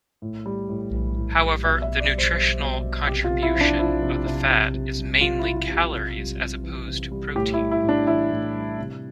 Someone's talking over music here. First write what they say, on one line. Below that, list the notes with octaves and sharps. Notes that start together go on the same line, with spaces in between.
However, the nutritional contribution of the fat is mainly calories as opposed to protein.
A2
G3
A2
E3
A2
G3
B2 E5
E5
B2
D5
G3
C5
G3
B2
B2
C3 G4
F4
C3
E4
F3
D4
F3 E4
C3
C3
C3
C3
G3
G3 F4
E4
C3
F4
C3 G4
F4
C3
G3
C3
E3
C3
G3
A2 G4
E4
G3
E4
A2
D4
E3 E4
A2
G3
C3